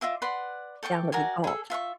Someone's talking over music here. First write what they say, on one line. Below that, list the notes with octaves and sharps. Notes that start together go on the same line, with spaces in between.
down to the Gulf
F4 D#5 E5 D6
B4 D5 F#5 C6
A4 G5 C#6 D6
F#4 A#4 D5 G#5
G#4 A4
F4 E5 F5 C#6